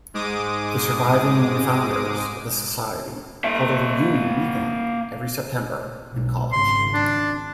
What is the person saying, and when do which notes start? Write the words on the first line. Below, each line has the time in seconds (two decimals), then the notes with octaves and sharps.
The surviving 'Refounders' of the Society hold a reunion weekend every September in college.
0.14 G#2 G#3 D6 D#6
3.44 A#3 E5
6.12 B1
6.52 G#1 C#3 C6
6.94 D4